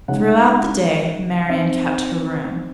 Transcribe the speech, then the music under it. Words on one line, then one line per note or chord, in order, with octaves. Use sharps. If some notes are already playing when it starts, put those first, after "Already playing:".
Throughout the day Marian kept her room.
C#3 G#3 D#4 F#5
C4 D#4 E5